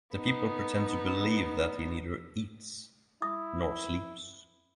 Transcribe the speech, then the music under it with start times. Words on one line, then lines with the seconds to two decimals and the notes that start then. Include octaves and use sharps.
The people pretend to believe that he neither eats nor sleeps.
0.14 B3 D#4
3.22 E4 D#6